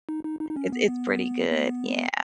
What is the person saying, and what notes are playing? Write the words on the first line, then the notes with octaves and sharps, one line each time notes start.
it's it's pretty good. Yeah,
D#4
D#4
D#4
D#4
C#4
B3
B3
B3